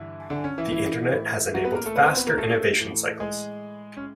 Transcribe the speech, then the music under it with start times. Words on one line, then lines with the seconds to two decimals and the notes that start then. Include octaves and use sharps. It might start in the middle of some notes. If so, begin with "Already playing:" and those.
The internet has enabled faster innovation cycles.
Already playing: G2 D3 E3 E4
0.30 D3 D4
0.44 C#4
0.58 E3 E4
0.72 E3 E4
1.12 A2 E3
1.54 F#3 F#4
1.65 B3 B4
1.75 A#3 A#4
1.86 A3 A4
1.96 B3 B4
2.06 C4 C5
2.16 B3 B4
2.27 A#3 A#4
2.38 A3 A4
2.79 A2 E3
3.20 G#3 G#4
3.97 C#4